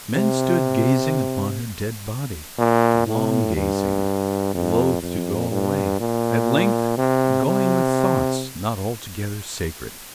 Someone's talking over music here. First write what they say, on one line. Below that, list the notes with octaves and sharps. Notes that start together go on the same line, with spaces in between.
Men stood gazing upon her dead body--long gazing--loth to go away--at length going with thoughts not altogether sacred!
C3
A#2
A2
G2
F2
F2
G2
A#2
C3
C3